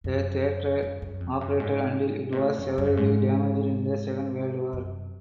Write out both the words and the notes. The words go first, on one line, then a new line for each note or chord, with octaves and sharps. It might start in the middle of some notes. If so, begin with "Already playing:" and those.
The theatre operated until it was severely damaged in the Second World War.
F#2
F#2
F#2
F2
F#2
G#2
B2
A2
F#2
F#2
G#2
F#2